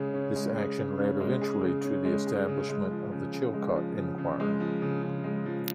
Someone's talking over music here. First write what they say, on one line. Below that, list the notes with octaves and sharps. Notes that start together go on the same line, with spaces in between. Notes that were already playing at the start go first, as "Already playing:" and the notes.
This action led eventually to the establishment of the Chilcot Inquiry.
Already playing: C#3 G#3 C#4 G#4
C#4
G#3
G#4
C#3
C#4
G#3
G#4
C#3
C#4
G#3
G#4
C#3
G#3
F3
C#3
C#3
G#3
F3
C#3
C#3
G#3
F3
C#3
C#3
G#3
F3